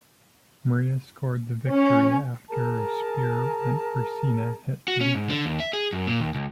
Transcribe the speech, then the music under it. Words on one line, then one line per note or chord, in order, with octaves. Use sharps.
Maria scored the victory after a spear meant for Cena hit Lita.
C#4
G#4 A#4 A5 A#5
F#4
C#4
G#2
D3
D#2
E5
G#4
F#2
A#2
D#2
C#2